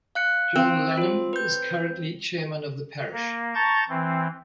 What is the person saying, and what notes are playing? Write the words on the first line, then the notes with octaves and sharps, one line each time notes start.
John Lanham is currently Chairman of the Parish.
F5 F#6 C#7
C4
F4 C5
B4 G6
A#3
A5 A#5 C#6 G6 A6
E3 C4